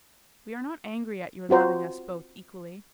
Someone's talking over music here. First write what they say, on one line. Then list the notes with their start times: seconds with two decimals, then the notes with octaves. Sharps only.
We are not angry at your loving us both equally.
1.49 C4 F4 F#4 C5 A#5